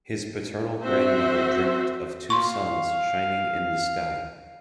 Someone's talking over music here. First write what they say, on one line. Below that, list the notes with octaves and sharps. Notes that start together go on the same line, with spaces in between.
His paternal grandmother dreamt of two suns shining in the sky.
C4 F#4 C5 E5
F5 C6 C#6